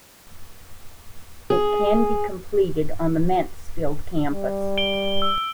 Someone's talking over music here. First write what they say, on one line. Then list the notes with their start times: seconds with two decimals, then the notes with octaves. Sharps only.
It can be completed on the Mansfield Campus.
1.50 G#4
4.32 G3
4.78 D7 G7
5.22 E6